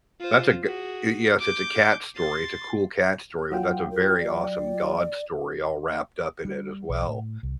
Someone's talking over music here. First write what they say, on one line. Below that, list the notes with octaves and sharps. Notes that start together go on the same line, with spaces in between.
that's a goo uh, yes, it's a cat story, it's a cool cat story, but that's a very awesome God story all wrapped up in it as well,
F4 C5
F#4 G#4
D6 G6
C6 A6
F#3 F4 F#5 G5
A#4
D5
G3
B1
A2
C2